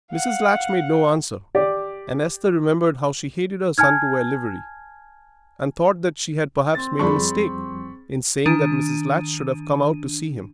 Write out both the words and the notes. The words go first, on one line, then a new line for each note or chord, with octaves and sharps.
Mrs. Latch made no answer, and Esther remembered how she hated her son to wear livery, and thought that she had perhaps made a mistake in saying that Mrs. Latch should have come out to see him.
F5 F#5
G4 D5
G#5 A5 F6 G#6
C4 A6
F2 F3 G3 G#4 D5 A5 B5 C#6
D#3 D4 D#7